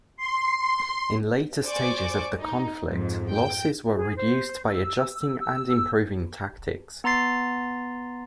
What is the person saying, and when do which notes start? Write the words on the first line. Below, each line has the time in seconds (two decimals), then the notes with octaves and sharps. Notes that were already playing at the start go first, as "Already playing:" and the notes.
In later stages of the conflict, losses were reduced by adjusting and improving tactics.
0.17 C6
1.64 C5 D5 G#5 C#6 D6
2.39 D#4
2.86 F2 G#2
3.29 G5
3.94 G#4
4.17 C5
4.68 E6
5.40 E6
7.04 B3 A#5 C6 A6 C7